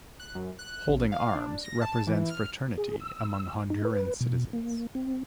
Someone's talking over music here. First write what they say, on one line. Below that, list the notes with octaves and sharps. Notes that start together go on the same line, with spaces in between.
Holding arms represent fraternity among Honduran citizens.
F#6
F#2
F#6
A1
F5
D4
A#6
A5
E3
F6
G#4
E6
D#4
B4
B2
A#3
C4